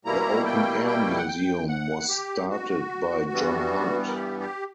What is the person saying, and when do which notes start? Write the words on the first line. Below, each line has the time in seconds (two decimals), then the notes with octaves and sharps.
The open-air museum was started by John Hunt.
0.05 B2 G3 A#3 E4 A#5
0.46 G5
0.86 G5
1.17 F#5
1.27 G5
1.68 F#5
2.09 G4
2.50 F#4
3.31 G2 E3 G3 B3
4.08 A#4
4.13 G4
4.40 G4